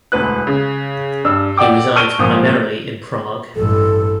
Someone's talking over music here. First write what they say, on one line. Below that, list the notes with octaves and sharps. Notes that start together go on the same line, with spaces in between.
He resides primarily in Prague.
E1 D2 B4 F#6
C#3
G2 D4 E6
D5 F#5 G5 D6
A5 C#6 F6 D7 D#7 G7
G#1 A#2 F3 D#6
A1 G2 A4